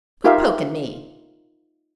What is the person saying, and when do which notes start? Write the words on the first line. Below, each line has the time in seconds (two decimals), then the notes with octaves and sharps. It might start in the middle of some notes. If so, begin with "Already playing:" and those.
"Quit poking me!"
0.24 D#4 F4 G4 A#4 E5 F5